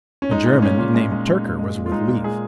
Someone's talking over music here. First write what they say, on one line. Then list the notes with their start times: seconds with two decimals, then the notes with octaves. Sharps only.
A German, named Tyrker, was with Leif.
0.22 C#4
0.31 G#3 D#4
0.46 A#2
0.62 G#3 C#4
0.79 A#2
0.95 G#3
1.11 G#3
1.27 G#3
1.43 A#2
1.59 G#3
1.75 A#2
1.86 F4
1.92 G#3 D#4
2.08 A#2
2.24 G#3 G#4